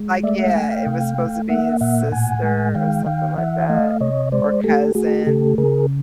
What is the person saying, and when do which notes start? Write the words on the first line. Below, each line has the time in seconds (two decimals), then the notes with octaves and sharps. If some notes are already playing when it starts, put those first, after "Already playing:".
Like, yeah, it was supposed to be his sister or something like that, or cousin.
Already playing: G#3
0.23 A3 D5 E5
0.39 E5 F#5
0.55 A3 F#5 G#5
0.71 F5 G5
0.86 C3
1.18 A3
1.49 A#3 E5 F#5
1.81 A#2 E5 F#5
2.12 A2 F#5 G#5
2.43 G#3
2.75 D#3 F5 G5
3.06 D#3 F5 G5
3.38 E3 E5 F#5
3.69 A3 D#5 F5
4.00 C3 C#5 D#5
4.32 G#3 C5 D5
4.64 A3 G4 A4
4.95 A3 F#4 G#4
5.27 C#3 G4 A4
5.58 C#3 G#4 A#4